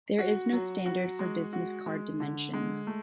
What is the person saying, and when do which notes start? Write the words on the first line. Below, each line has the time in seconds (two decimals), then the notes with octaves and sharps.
There is no standard for the business card dimensions.
0.18 F#4
0.53 F#3
0.86 F#4
1.19 G#3
1.53 F#4
1.86 G#3
2.20 D3
2.53 G#3
2.87 A3